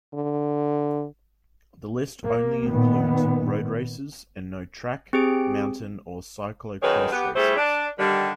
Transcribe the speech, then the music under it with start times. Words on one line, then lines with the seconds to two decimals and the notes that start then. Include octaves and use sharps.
The list only includes road races, and no track, mountain or cyclo-cross races.
0.14 D3
2.24 A#3
2.69 A#2 D#3 B3
5.13 C4 G4 G#4 D7
6.83 F#2 D#3 G#4 B4 C#5
7.11 B3 G4
7.35 G3 A3 E4 G#4 C5
7.57 D4
7.99 D3 D#3 G3